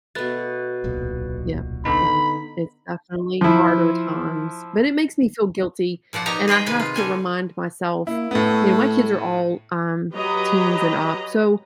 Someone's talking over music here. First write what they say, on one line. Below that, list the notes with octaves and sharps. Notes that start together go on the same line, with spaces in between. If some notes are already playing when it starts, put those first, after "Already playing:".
Yep yep, it's definitely harder times, but it makes me feel guilty and I have to remind myself you know, my kids are all, um, teens and up, so,
B2 A3 B4 F#6 A6
D1 B1 A#2
D3 B3 D#4 B5
F3 E4
A#2 F3 D5 F#5
B3 D#4 G4 A#5
G#4 C5 D#5 G5
C3 D#3 B4 G#5
F4
D3 G3 G#5
A#3 E4
A2 A3 B3
F#3 G4 B4 D#5 A#5